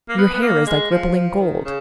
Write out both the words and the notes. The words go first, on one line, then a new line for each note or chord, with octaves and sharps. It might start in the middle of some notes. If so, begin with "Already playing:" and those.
Your hair is like rippling gold.
A#3
B3
B3
A#3
G#3
F3
F3
D#3
C#3